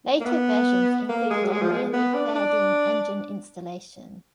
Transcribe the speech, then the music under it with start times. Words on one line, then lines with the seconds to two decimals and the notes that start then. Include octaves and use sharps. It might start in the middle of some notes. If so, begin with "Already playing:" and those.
Later versions included a nearly faired-in engine installation.
0.21 A#3
0.25 B3
1.09 A#3
1.31 G#3
1.45 F#3
1.52 G#3
1.62 F3
1.72 G#3
1.93 B3
2.14 D4
2.35 D4